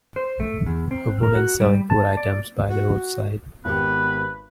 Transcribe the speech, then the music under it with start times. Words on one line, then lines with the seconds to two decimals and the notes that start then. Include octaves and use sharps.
A woman selling food items by the roadside.
0.16 C5
0.40 A3
0.66 E2
0.91 C4
1.23 A#4
1.35 F#4
1.60 G3
1.90 A5
2.17 D5
2.69 F#4
3.65 G#1 B3 G4 B4